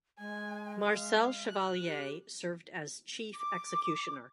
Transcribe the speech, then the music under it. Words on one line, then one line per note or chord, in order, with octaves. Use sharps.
Marcel Chevalier served as chief executioner.
G#3 G#5
F5
F#6
G4
D6